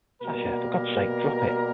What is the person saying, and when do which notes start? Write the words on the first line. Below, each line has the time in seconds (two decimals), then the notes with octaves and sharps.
Sasha, for God's sake, drop it!
0.21 B2 G3 A#3 A#4